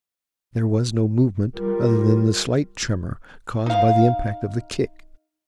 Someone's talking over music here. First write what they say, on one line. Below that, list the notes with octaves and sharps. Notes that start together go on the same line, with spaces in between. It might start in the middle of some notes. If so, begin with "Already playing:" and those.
There was no movement other than a slight tremor caused by the impact of the kick.
G3 F4 A#4
D#4 F5